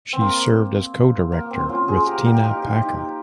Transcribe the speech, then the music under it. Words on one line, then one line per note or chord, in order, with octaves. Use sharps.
She served as co-director, with Tina Packer.
C4
A#3
A#3
C4
C#4 F4
G#4 C5
G4 A#4
G4 A#4
D#4 G4
D#4 G4
D#4